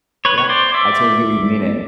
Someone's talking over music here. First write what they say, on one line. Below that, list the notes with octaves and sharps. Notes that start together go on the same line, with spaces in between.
Yeah, I totally hear what you mean, and,
B4 C#5
C#5
C5 D5
D5 E5